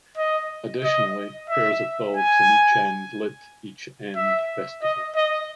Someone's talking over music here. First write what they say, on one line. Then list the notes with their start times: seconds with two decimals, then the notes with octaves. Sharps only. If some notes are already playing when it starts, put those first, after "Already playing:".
Additionally, pairs of bulbs on each end lit each end vestibule.
0.18 D#5
0.84 D#5
1.50 E5
2.17 G#5
4.16 E5
4.83 D#5
5.16 D#5